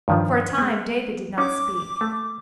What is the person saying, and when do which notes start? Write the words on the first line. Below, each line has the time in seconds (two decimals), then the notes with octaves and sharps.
For a time David did not speak.
0.08 G2 D#3 F3
0.58 G#3 B3
1.38 C#4 D#4 D6
2.01 A3